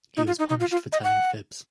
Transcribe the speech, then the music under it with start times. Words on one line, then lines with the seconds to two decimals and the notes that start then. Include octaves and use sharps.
He was punished for telling fibs.
0.17 D#4
0.27 F4
0.39 D#4
0.49 D#4
0.60 F4
0.71 F4
0.92 D#5
1.04 F#5